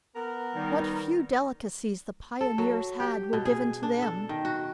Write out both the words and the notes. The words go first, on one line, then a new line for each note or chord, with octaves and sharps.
What few delicacies the pioneers had were given to them.
B3 A#4
D#3 G3 D#4
A4
F#3
G4
B2
G#4
D4
A4
D#3
F#4